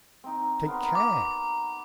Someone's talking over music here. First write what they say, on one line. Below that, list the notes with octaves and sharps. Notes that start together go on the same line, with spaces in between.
Take care!
C4 D#4
B3 A#4 C6
D6